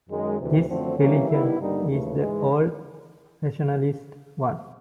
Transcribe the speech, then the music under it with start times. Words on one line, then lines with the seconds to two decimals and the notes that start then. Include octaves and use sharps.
His religion is the old rationalist one.
0.08 F#2 D#3 G#3
0.38 D2 C3 E3
0.69 F#2 D3 F3 A3 C4
0.98 E3 G3 A#3 C#4
1.29 D#3 G3 B3 E4
1.59 G2 D3 G3 A#3 D#4
1.89 D#2 C#3 E3 A3
2.19 G#2 E3 G#3